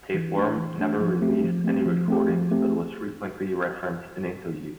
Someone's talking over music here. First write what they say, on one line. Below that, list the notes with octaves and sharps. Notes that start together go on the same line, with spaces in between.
Tapeworm never released any recordings, but was frequently referenced in interviews.
E3
A3 D4
E3
A3 D4
F3
A3 C4 G4
F3
A3 C4 G4
F3
A3 C4 G4
F3
A3 C4 G4